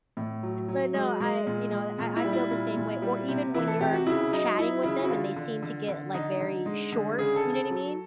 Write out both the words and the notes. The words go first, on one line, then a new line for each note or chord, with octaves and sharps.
but, no, I you know, I I feel the same way, or even when you're chatting with them and they seem to get, like, very short, you know what I mean?
A2
F#3
F#3
G#3
G#3
A#2
G#3
A#2
E4
G3
E4
A#2
A#2
G3
C3
E3 E4
A4
C3 G4
F#4
C#3 E4
F#3 D#4
F#3 E4
C#3 E4
F#4
D3 F4
D3
D3
D3
D3 D#4
D3
G#3
D3
C#3 G#4
A4
C#3
A4
F#3